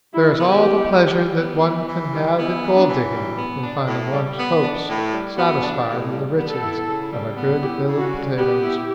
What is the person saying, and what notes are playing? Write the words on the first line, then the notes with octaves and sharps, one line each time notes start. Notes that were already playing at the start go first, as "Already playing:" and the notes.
There is all the pleasure that one can have in gold-digging in finding one's hopes satisfied in the riches of a good hill of potatoes.
G3 E4
B3
G4
E3
E3
G3
B3
E3
E3
G3
B3 E4
E3
D4
E3
G3
B3
D4
A2
G3
B3
D4
A2
G3
B3 F#4
D4
G4
A2
G3
B3
A4
E4
C#3
G3
B3
E4 G4
C#3
F#4
G3
B3 G4
E4